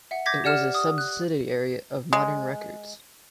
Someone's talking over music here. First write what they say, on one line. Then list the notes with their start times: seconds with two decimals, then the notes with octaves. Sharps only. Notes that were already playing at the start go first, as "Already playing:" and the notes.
It was a subsidiary of Modern Records.
0.11 E5 F#5
0.26 D6 G6 G#6 A#6 B6
0.44 G4 D5 F#5 F6 E7
0.75 D#6
0.98 F#6
2.13 G#3